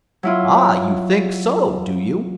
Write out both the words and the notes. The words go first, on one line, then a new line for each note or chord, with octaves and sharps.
"Ah! you think so, do you?"
F#3 E4 F4